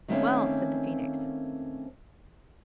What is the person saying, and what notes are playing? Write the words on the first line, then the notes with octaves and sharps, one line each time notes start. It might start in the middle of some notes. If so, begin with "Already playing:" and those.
'Well!' said the Phoenix.
D#3 A3 A#3 C4 C#4